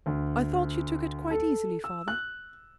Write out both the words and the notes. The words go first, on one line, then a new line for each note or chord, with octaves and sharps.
"I thought you took it quite easily, father."
D2
A4
E6
F#6